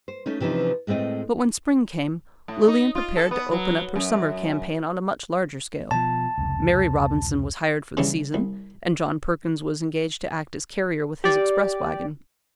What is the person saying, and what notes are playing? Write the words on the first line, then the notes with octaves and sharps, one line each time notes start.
But when spring came Lilian prepared to open up her summer campaign on a much larger scale. Mary Robinson was hired for the season, and John Perkins was engaged to act as carrier with his express wagon.
C5
A3 C#4 D#4
C3 E3 F3 C#4 D#4
A2 G#3 A3 C4 D#5
A2
D#4
F4
A4
B3
F#3
F#2
B2 F3 A5
F1 C#2
C#3 E3 G3 C#4 D4
C2
G4 D5